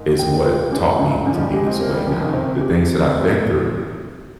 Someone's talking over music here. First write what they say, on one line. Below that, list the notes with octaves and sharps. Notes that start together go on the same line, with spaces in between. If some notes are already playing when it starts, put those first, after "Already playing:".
is what taught me to be this way now, the things that I've been through,
Already playing: G#2 A#4
G5
F4
G#2 C#4
G#2
C#4
G2
G#2 C#4
F3
G3
G#3 G4
C4
A#3 C5
G3
F3 C#4
D#3
C#3
C3 C5
G4